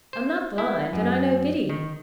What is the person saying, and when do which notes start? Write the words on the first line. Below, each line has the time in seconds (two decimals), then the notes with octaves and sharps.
'I'm not blind, and I know Biddy.
0.13 C5
0.58 E4
0.93 F#2
1.70 D#3